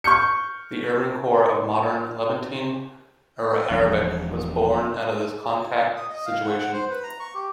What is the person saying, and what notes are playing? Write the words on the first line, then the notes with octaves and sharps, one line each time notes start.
The urban core of modern Levantine Arabic was borne out of this contact situation.
C#6 F6 G6 C#7
E1 F3 D4
D#6
D#5
F5
F#5
F#5
C5
B4
A#5
C#6
G4